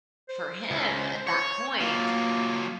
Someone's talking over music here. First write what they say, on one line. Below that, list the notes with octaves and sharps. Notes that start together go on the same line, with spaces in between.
for him, at that point
C5
C#2
C#5
F#3 A#3 F4